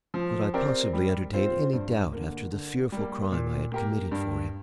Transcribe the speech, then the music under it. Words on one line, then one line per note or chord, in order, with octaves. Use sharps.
Could I possibly entertain any doubt after the fearful crime I had committed for him?
F3
C4 G4 A#4 D5
G3
C4 F4 C5
G2
D3 A#3
D3
G3 A#3
A#2
A#3 G4 A#4
G2